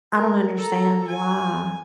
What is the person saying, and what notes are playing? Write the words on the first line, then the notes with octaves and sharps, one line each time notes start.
I don't understand why
A#4
A4 A#5
G#5